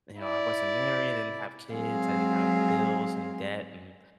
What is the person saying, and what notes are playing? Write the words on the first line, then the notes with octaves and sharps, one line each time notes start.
you know, I wasn't married, I didn't have kids, I didn't have bills, and debt, and
E4 D5
F#3 G#3 C4 G#4 F5